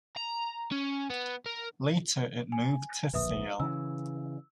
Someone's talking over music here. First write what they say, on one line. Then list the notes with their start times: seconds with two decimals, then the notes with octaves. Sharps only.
Later it moved to Sale.
0.17 A#5
0.71 C#4
1.10 B3
1.46 A#4
2.52 G#5
3.13 D1 A#1 B4 E5 D#6
3.60 C#3 E3 E6